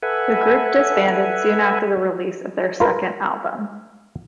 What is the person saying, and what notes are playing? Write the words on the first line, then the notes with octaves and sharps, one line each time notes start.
The group disbanded soon after the release of their second album.
A4 B4 E5 F#5 G#5
F4 A#4 B4